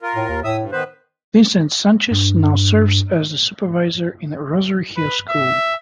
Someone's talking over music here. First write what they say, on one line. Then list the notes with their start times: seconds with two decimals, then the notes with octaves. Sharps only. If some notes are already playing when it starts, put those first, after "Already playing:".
Vincent Sanchez now serves as the Supervisor in Rosaryhill School.
0.02 F4 A#4
0.15 A2
0.29 D#2
0.44 A2 E5 D#6 E6
0.58 G2
0.72 D#3 B3 B4 C5
2.11 G2
4.96 B4
5.30 E5